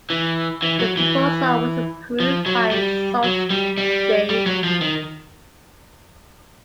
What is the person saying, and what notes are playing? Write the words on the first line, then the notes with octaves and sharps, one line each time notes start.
The proposal was approved by Sault Ste.
E3
E3
F#3
E3
F3
F#3
G3
F#3
G3
G3
G3
F#3
F3
D#3